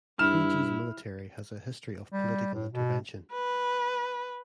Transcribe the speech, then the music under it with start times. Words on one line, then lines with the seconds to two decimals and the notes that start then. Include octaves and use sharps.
Fiji's Military has a history of political intervention.
0.19 G2 E4 F6 E7
2.12 G3
2.54 A2
2.73 B2
3.32 B4